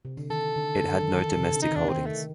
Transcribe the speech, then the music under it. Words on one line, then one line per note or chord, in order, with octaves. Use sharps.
It had no domestic holdings.
C3
D3
D#3 A4
D3
D3
D#3
D#3
C3
D3
D#4
D#3 D4
D#3 C4
A3